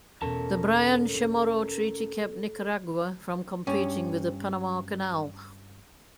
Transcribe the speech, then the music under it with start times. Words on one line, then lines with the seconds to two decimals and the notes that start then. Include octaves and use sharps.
The Bryan-Chamorro Treaty kept Nicaragua from competing with the Panama Canal.
0.22 E2 B2 C#4 A4 A#4 A5
3.67 G2 C#4